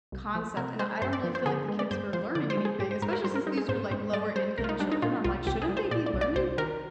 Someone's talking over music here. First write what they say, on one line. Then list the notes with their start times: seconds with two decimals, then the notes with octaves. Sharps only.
concept, and I don't really feel like the kids were learning anything, especially since these were like lower-income children. I'm like, shouldn't they be learning
0.12 C2
0.35 F3
0.57 C3 A#4
0.79 G#3 C5
1.02 G2 C5
1.13 D5
1.24 F3
1.35 C5
1.46 D3 G#4
1.68 G#3
1.79 D5
1.91 G2 C5
2.13 F3 C5
2.35 D3 D5
2.50 C5
2.57 G#3
2.65 G#4
2.79 G#2 G4
2.91 C5
3.02 G#2 A#4
3.13 A#4
3.24 G3 C5
3.35 A#4
3.47 G3 D#4
3.57 G#4
3.69 G#2 C5
3.91 G#2 C5
4.13 G3 D5
4.36 G3 C5
4.58 C2 A#4
4.64 F4
4.69 D#4
4.80 G3 D4
4.92 D#4
5.02 A#2 F4
5.24 C2 F4
5.47 C2 G4
5.62 G#4
5.69 G3
5.77 C5
5.91 A#2 D5
6.06 D5
6.14 C2
6.21 D5
6.36 C2 C5
6.58 D#3 A#4